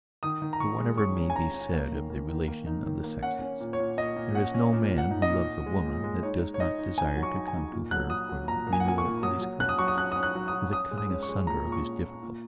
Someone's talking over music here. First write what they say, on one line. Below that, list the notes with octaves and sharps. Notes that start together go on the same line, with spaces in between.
For, whatever may be said of the relation of the sexes, there is no man who loves a woman that does not desire to come to her for the renewal of his courage, for the cutting asunder of his difficulties.
D#3 D#6
D#3
A#5
D#3 C#6
G#3
C#4 C#6
C#4
G#5
C#4 A#5
C#4
A#3
D#3
A#3
D#3
A#3
D#4
D#3
A#3
C#4 F#5
C#4
A#2
C#5
A#2
A#2 D#5
A#2
C#4 F#5
C#4
A#2
A#2
F#5
D#4
D#5
A#2
A#2
G#3
A#2
G#3
D#4 C#5
D#4
C#5
D#4 D#5
D#4
D#4 G#5
F#3
C#6
D#4
G#5
D#4
A#2
F#3 F#6
F#3 D#6
F#3
A#2 A#5
A#3
G#5
F#5
A#3 G#5
C#6
A#2
F#3 D#6
F#3
C#4 F#6
D#6
F#3 C#6
D#6
C#4 F#6
C#4 D#6
F#6
F#3
D#6
F#3
C#4 D#6
G#3
D#6
C#4
C#6
G#3
A#2 A#5
A#2
C#6
C#4
A#2
A#2